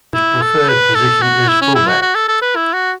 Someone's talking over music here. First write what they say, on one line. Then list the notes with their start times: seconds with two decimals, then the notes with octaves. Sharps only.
His preferred position is fullback.
0.14 E4
0.42 A4
0.68 B4
0.95 A4
1.22 F#4
1.48 E4
1.62 C#4
1.75 E4
1.89 F#4
2.02 F#4
2.15 A4
2.28 A4
2.42 B4
2.56 E4
2.73 F#4